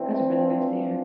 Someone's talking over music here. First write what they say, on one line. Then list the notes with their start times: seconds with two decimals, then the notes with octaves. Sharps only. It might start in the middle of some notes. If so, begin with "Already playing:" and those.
That's really nice to hear,
Already playing: G2 E3 A3 C4
0.30 D4 F4